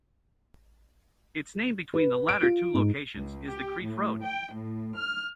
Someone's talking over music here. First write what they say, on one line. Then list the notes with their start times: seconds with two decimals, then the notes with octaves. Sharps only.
Its name between the latter two locations is the Crieff Road.
1.94 B4
2.29 D7
2.43 F4
2.74 G#2
3.16 C#2
3.49 G4
3.83 A2
4.22 G5
4.54 A2
4.96 F6